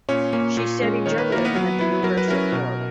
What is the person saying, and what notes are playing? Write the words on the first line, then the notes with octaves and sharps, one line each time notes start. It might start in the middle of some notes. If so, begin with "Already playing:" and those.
She studied journalism at the University of Florida.
A#2 C#4 C#5
A#3 C#4
A#2
G#3 C#4
D#3 C#5
B4
A#3 E4 A#4
B3 B4
F#3
B3 E4
F#3 A#4
B4
C#4 E4 A#4
B2